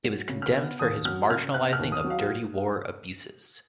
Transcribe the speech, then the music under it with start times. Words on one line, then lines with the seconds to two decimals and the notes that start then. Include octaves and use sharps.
It was condemned for his marginalizing of Dirty War abuses.
0.05 F#3
0.29 C#3
0.42 F6
0.55 B3
0.79 D#2 D#6
1.05 F#3 F6
1.30 C#3 F6
1.54 B3 F#6
1.73 F6
1.79 D#2
1.92 D#6
2.04 F#3
2.10 F5